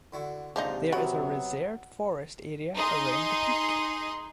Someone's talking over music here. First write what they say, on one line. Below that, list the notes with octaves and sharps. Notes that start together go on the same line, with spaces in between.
There is a reserved forest area around the peak.
D3 E4 F#4
D#2 G#2 C3 F3 G#3 D4 D#4
F#3 B3 F#4 A#4 B5
D#4 G#4 C6